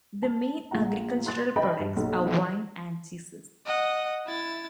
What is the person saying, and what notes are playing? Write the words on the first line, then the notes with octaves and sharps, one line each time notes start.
The main agricultural products are wine and cheeses.
A5
A#1 A#2 F4 F#5 A#5
C6 F#6 A6
B4 D#5 E5 G5 A5 B5
G2
B1 A#3
D#5 F#5
E4 A6